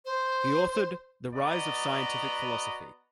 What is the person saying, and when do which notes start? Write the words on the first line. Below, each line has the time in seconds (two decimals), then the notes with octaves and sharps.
He authored "The Rise of Scientific Philosophy".
0.05 C5
1.34 B3 F#4 D5 D#5 A#5 B5